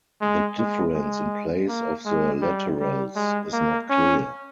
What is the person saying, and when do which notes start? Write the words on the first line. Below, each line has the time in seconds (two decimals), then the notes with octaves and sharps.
The difference in place of the laterals is not clear.
0.21 G#3
0.58 G#3
0.94 G#3
1.68 A#3
2.05 G#3
2.41 G3
2.79 G3
3.16 G#3
3.53 A#3
3.89 C#4